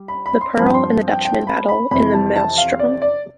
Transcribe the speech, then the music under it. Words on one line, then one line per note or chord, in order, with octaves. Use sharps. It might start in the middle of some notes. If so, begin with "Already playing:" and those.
The "Pearl" and the "Dutchman" battle in the maelstrom.
Already playing: G3
B5
B5
C6
G2 F3 C4 B5
C6
G5
G5
B5
B5
F2 C3 E3 B5
A5
A5
F5
D5
D5